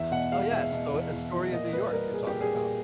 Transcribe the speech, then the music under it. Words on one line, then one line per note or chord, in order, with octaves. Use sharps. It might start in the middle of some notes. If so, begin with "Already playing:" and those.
Oh, yes. So, Astoria in New York, you're talking about.
Already playing: E2 E5
B2 F#5
G#3 F5
B2 E5
B2
E2
E2
E2
A#2 D#5
G3 B4
G3 A#4
A#2 G#4
G4
A#2
G#4
A#2